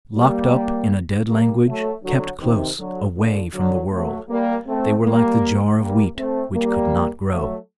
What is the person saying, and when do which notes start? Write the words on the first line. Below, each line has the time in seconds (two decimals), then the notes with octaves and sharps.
Locked up in a dead language, kept close, away from the world, they were like the jar of wheat which could not grow.
0.15 G3 A#3
1.28 G3 A#3
1.66 F#3 A3
2.03 D3 F#3
2.41 C3 D#3
2.79 D3 F#3
3.16 A#2 D3
3.54 D3 F#3
3.91 F#3 A3
4.29 G3 A#3
4.67 A3 C4
5.04 G3 A#3
5.79 G3 A#3
6.17 A3 C4
6.54 G3 A#3
7.29 F#3 A3